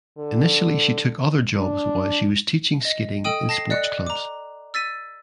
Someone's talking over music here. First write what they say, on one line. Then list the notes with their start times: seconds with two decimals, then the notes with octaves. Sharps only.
Initially she took other jobs while she was teaching skating in sports clubs.
0.19 D3
1.56 D4
2.85 D#5
3.24 A4 D#5 G5 D#6 D#7
3.49 A5 A#6 C7
3.70 D5 D#5 F#6 C#7
4.07 A#5 D6
4.74 E6 A6 B6 D#7